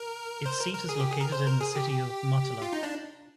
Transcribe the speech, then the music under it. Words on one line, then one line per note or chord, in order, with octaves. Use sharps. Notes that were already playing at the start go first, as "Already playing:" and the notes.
Its seat is located in the city of Motala.
Already playing: A#4
C5
A#4
A#4
G#4
G4
G#4
A#4
C5
A#4
G#4
G4
F4
D#4
D4